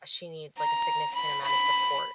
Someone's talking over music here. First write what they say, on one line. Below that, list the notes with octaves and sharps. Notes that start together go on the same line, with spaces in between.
uh, she needs, like, a significant amount of support,
A#5
B5
B5